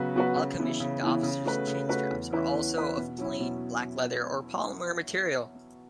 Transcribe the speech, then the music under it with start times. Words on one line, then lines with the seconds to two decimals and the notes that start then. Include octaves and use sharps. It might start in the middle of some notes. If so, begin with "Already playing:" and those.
All commissioned officers' chinstraps are also of plain black leather or polymer material.
Already playing: C#3 F#3 B3 F#4 B4
0.15 F#3 B3 F#4 B4
0.36 C#3
0.58 E3 B3 E4
0.80 C#3
1.02 E3 B3 E4
1.23 C#3
1.45 A3 F#4 B4
1.67 C#3
1.88 A3 F#4 B4
2.11 E2
2.32 E3 C#4 E4 B4
2.54 E2
2.76 E3 C#4 E4 B4
2.97 B2
3.18 F#3 C#4 E4
3.40 B2